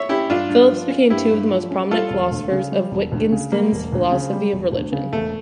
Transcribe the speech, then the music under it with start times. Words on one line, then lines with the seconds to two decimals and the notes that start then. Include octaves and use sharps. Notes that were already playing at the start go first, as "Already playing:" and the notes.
Phillips became two of the most prominent philosophers on Wittgenstein's philosophy of religion.
Already playing: C#5 E5
0.09 C#4 E4 G4
0.30 G2 D4 F4
0.49 G2
0.70 F3
0.90 C#4
1.10 G2 E4 G4
1.31 G2
1.51 F3
1.71 C#4
1.91 G3 F4 A4
2.11 E1
2.32 D2
2.52 C#3
2.72 G3
2.92 E1
3.12 D2
3.32 C#3
3.52 G3 A#3
3.73 E1
3.93 D2
4.12 C#3
4.33 G3
4.53 E1
4.72 D2
4.92 C#3
5.13 E1 A3